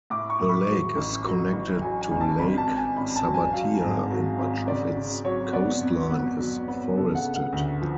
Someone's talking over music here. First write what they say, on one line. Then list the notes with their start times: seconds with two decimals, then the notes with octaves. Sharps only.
The lake is connected to Lake Sabbatia and much of its coastline is forested.
0.10 A2 D6
0.30 C#6
0.40 A2
0.49 B5
0.68 F#3
0.96 A1
1.26 F#3
1.53 A1
1.82 F#3 G#5
2.01 G#5
2.11 A1
2.21 A5
2.39 G#1 B5
2.58 A5
2.67 G#1
2.77 G#5
2.96 G#1 B5
3.16 A5
3.24 F#3
3.34 G#5
3.53 F#3 F5
3.81 G#2
4.11 F#3
4.39 G#1
4.67 C#3 D5
4.96 C#3
5.25 F#3 C#5
5.53 B3 D5
5.81 F2
6.10 B3
6.39 F#3
6.68 B3
6.97 C#3 A4
7.15 F#5
7.24 C#3
7.34 F#5
7.53 D2
7.81 F3